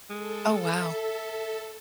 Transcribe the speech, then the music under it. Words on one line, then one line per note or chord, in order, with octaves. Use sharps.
Oh, wow.
G#3 A4
E5